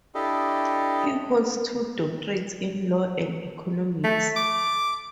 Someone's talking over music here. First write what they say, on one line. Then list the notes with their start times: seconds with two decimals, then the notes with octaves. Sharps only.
He holds two doctorates in law and economics.
0.15 D4 E4 G4 A4 D#5
4.04 A3
4.36 D6